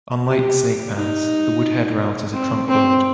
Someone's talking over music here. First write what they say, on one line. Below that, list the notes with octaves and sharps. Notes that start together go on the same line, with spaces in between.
Unlike Snake Pass, the Woodhead route is a trunk road.
G4
D#4
C4
C4